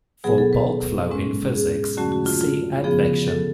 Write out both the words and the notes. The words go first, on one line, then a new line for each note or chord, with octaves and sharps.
For "bulk flow" in physics see Advection.
B2 F#3 B3 G#4
A4
B4
G#2 G#3 C#4
G#4
F2 D3 F#3 A3 C#4 F#4
F#4
F4
F4
C#3 F3 B3 G#4
A4